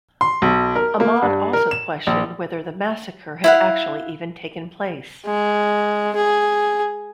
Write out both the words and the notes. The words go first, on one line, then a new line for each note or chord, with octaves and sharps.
Ahmad also questioned whether the massacre had actually even taken place.
C6
B1
A#4
A#3
G2
A#4
E7
A#1
E4 F5 F#5
G#3
G#4